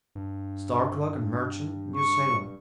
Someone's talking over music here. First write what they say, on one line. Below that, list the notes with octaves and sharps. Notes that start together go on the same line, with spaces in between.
Store clerk and merchant, New Salem.
G2
C#6